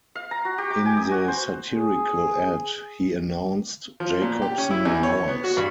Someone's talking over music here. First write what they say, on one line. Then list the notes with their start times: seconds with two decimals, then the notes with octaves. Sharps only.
In the satirical ad, he announced: Jacobsen Mowers.
0.15 F5
0.31 A#5
0.45 F#4
0.58 G4
0.70 D6
0.86 G#5
0.97 D#6
1.11 F#4
1.28 C5
1.72 G#4
4.00 F3
4.22 A#2
4.42 G4
4.58 C#4
4.71 E4
4.85 E2
5.03 C#5
5.28 B3
5.44 F#4
5.57 G2